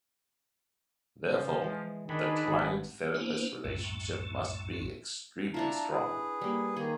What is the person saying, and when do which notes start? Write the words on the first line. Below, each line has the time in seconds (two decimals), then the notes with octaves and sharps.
Therefore, the client-therapist relationship must be extremely strong.
1.32 C#3 F3
1.62 E3 G#3
2.09 D#3 D4 D#4 G#4 B5
2.47 G#1 F#5
3.14 A#3 B3 D4 E4 B4 C5
3.64 C2 F#2 A2 A3
5.54 D4 E4 F4 A5 A#5
5.91 G#4 B4
6.41 G3 A#3
6.76 D#3 A#3 G#4